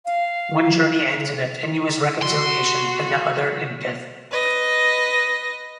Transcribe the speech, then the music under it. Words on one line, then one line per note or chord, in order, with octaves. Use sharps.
One journey ends in a tenuous reconciliation, and the other in death.
F5
F#4 C6
B4 D#5